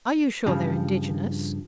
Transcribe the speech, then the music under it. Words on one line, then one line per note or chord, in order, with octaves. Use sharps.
"Are you sure they're indigenous?"
G2 C#3 F3